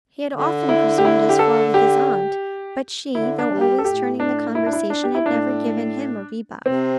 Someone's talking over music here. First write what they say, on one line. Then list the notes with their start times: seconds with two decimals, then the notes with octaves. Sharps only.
He had often presumed as far with his aunt; but she, though always turning the conversation, had never given him a rebuff.
0.35 D3
0.69 E4
0.98 G4
1.05 E4
1.29 G4
1.39 A4
1.74 G4
3.15 D3 E4
3.39 D4
3.50 G3
3.61 G4
3.78 A4
3.85 A2 G4
4.20 D4
4.55 E4
4.66 D4
4.73 E4
4.90 D4
5.04 G4
5.15 E4
5.26 A2 D4
6.66 C3 C4